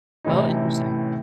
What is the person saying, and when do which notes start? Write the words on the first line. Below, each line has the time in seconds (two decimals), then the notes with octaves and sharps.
Oh, interesting.
0.24 A2 C3 E3 A3 C#4 D#4